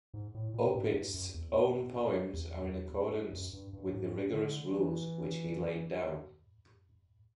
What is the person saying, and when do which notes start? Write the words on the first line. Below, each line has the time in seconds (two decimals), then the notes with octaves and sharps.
Opitz's own poems are in accordance with the rigorous rules which he laid down.
0.14 G#2
0.34 A2
0.54 A#2
0.74 G#2
0.94 G2
1.14 F#2
1.34 E2
2.33 E2
3.33 F#2
3.53 G2
3.73 G2
3.92 G#2
4.33 D3
4.72 E3